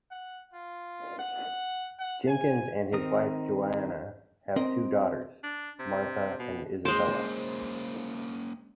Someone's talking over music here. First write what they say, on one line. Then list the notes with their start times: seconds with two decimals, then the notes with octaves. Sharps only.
Jenkins and his wife Joanna have two daughters, Martha and Isabella.
0.11 F#5
0.53 F4
1.19 F#5
1.99 F#5
2.28 G#5
2.93 D#3 C4 D#4 A#4 D#6
4.56 C4 A#4 D#5
5.43 D4
5.79 C3
6.39 B2
6.85 G#3 A#3 C#4 C5 D6